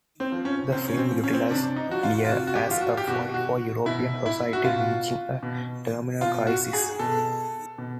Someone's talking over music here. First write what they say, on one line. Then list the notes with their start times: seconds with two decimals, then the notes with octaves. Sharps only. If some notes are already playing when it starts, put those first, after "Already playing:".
The film utilized "Lear" as a foil for European society reaching a terminal crisis.
0.20 C4
0.32 F3
0.45 C#4
0.72 C3 C4
0.88 C#4
0.98 C4
1.11 F3
1.24 C#4
1.33 C4
1.42 C#4
1.51 C3 D4
1.76 D#4
1.89 F3 F#4
2.03 F4
2.25 F4
2.29 C3 F#4
2.47 F#4
2.55 G4
2.68 F3 F4
2.81 F#4
2.97 G4
3.07 B2 F#4
3.34 F#4
3.86 B2 E4
4.26 E4
4.53 F#4
4.64 B2 F4
5.43 B2
6.21 B2 F4
6.47 F#4
6.73 G#4
6.99 B2 A4
7.78 B2